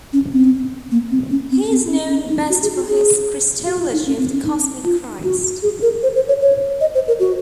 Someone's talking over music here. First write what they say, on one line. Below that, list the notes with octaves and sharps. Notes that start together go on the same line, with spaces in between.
He is known best for his Christology of the Cosmic Christ.
C#4
C4
A#3
C4
C#4
C4
C4
C#4
C#4
D#4
F#4
G#4
F#4
G#4
F#4
F4
D#4
C#4
C4
C#4
D#4
F4
F#4
G#4
A#4
C5
C5
C#5
C#5
D#5
C5
A#4
F#4